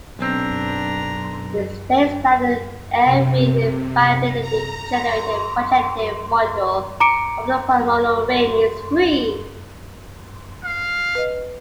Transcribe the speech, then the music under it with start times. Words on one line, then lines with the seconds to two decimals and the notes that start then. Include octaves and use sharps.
It states that every finitely generated projective module over a polynomial ring is free.
0.19 B1 C4 D4 A#5
3.04 C3
4.41 A#5
7.00 A#5 D6 C#7 D7
10.64 F5
11.15 B4 D#5